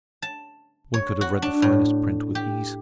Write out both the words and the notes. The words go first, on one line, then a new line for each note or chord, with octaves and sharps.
One could have read the finest print with ease.
A5
C#5
F#4
D4
A2
G4